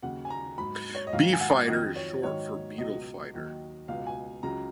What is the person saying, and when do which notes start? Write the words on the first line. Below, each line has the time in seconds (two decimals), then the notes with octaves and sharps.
B-Fighter is short for "Beetle Fighter".
0.03 D#2 C#3 F#3 F#5
0.25 G#5
0.30 A#5
0.58 G#2 F#3 B5
0.95 C#5
1.07 D#5
1.13 G#2 D#3 F#3 F5
1.33 G#5
1.40 F#5
1.68 F2 D#3 F#3 D#5
1.96 C#5
2.23 G#2 D#3 F#3 C#5
2.78 C#2 B2 F#3 D#5
3.33 D#2 D#3 F#3
3.88 C#2 B2 F#3 F5
4.07 G#5
4.43 C#2 C#3 F#3 A#5